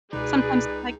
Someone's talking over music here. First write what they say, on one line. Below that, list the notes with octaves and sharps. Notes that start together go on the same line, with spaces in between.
sometimes, like
C#2 B2 D#4 G#4 B4 D5